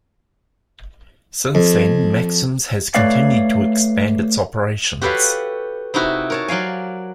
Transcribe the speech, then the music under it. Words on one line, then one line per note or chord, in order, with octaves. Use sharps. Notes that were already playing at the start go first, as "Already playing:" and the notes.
Since then, Maxim's has continued to expand its operations.
F2
A3 B4 C#5 D5 F5
F#4 G4 A4 B4 C#5 F5
C3 D#4 E4 F#4 E5
A#4 C#5 A5
F#3 D5 F5 G#5